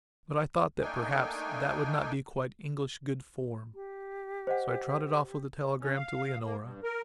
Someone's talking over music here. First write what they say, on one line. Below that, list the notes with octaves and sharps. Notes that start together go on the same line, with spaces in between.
But I thought that perhaps that would not be quite English good form, so I trotted off with the telegram to Leonora.
A3 A#3 D4 D#4 G5 G#5
G4
C5 D#5 F#5
C#4
F5
A#3
G2
A#4